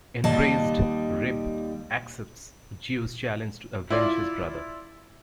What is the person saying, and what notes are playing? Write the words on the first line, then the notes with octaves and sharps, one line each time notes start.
Enraged, Rip accepts Zeus' challenge to avenge his brother.
D#2 G3 D#5 A5
E4 F4 D5